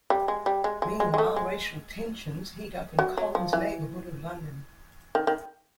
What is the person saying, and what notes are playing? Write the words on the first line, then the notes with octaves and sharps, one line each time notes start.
Meanwhile, racial tensions heat up in Colin's neighbourhood of London.
G3
G#3
G3
G#3
G#3
G#3
G#3
A3
G#3
F#3
F#3
F3
E3
D#3
D#3